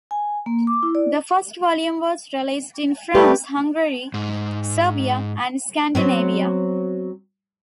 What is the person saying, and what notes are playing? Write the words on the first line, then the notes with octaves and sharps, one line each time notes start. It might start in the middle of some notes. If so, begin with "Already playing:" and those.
The first volume was released in France, Hungary, Serbia and Scandinavia.
G#5
A#3
D6
E4
D5
G3 A3 G4 B4
G#2
F#3 B3 C4